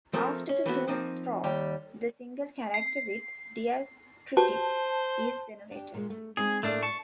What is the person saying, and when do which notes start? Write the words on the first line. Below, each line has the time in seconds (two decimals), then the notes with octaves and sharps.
After the two strokes, the single character with diacritics is generated.
0.13 F3 A3 C4 A#4
0.49 C#4
0.66 E3 A3 B3 F#4
0.88 F3 A#3 C4 D#4
1.44 D#2 G3 G4
2.74 C7
4.37 F#4 G4 B4 C5 A5
5.71 D4 G4
5.94 A#2 G#3
6.10 A3
6.37 G#3 C4 D#4 G#4
6.63 A2 A3 A#3 D4 D5
6.83 A5 C#6